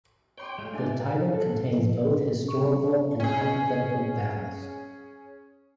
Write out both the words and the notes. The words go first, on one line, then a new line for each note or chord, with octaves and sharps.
The title contains both historical and hypothetical battles.
C#5 G5 C6 D6
G#3 A3 F4
D4 E5 G#5
A4
F#2
F3
C#3
C#4
C#6
C#4 G#4